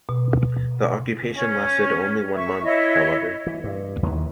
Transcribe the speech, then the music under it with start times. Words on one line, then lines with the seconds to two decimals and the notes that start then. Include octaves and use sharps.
The occupation lasted only one month, however.
0.09 B2
1.34 C#4
2.33 E5 C#6
2.63 E4 C#5 D#5
3.46 E3
3.64 G2
4.03 D#2 D#3 E3